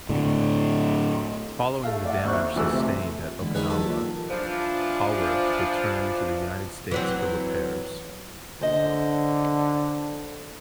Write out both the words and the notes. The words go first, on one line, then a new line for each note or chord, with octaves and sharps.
Following the damage sustained at Okinawa, "Howorth" returned to the United States for repairs.
A2 D3
A3 E5 F5
D5 E5 F#5
D#2 C4 E4 C5 C#6 F#6
D2 E3 A3
C3
F4
D#1 D3 E3 G#3
D#3 C#4 G#4 B4
F#3 G4 A4
A#2
E3 F3 D4
E3 F#3 C4
D3 C5 D#5